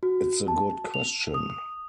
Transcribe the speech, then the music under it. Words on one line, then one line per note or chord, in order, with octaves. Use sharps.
It's a good question.
F#4
A5
F7
D#6